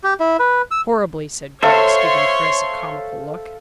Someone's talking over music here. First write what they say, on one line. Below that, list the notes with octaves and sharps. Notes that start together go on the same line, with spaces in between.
"Horribly," said Griggs, giving Chris a comical look.
G4
E4
B4
E6
A4 C5 C#5 E5 F5 C6